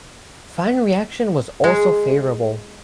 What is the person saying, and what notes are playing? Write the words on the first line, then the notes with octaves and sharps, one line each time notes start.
Fan reaction was also favorable.
G#3